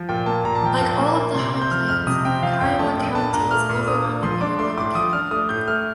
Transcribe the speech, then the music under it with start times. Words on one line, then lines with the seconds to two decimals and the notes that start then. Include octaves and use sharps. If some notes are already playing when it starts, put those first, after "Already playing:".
Like all of the High Plains, Kiowa County is overwhelmingly Republican.
Already playing: F3
0.09 A#2 G5
0.26 A#3 A5
0.44 A#2 A#5
0.55 A5
0.63 F3 G5
0.77 A#2 A5
0.99 A#3
1.16 A#2
1.35 C3 C6
1.53 C4
1.62 G6
1.71 F3 F6
1.89 F2 F6
2.07 C3 D#6
2.25 C4 G5
2.43 F3 F5
2.60 F2 G5
2.79 A3 A5
2.97 A#2 G5
3.15 D4 A5
3.33 A#2 A#5
3.51 A3 F6
3.69 A#2
3.87 D4 D#6
4.05 A#2
4.23 F3 C6
4.41 D4 D6
4.59 A3 C6
4.77 A2 D6
4.95 F3 D#6
5.13 D4 F6
5.31 A3 D#6
5.49 A2 G6
5.68 A3 F6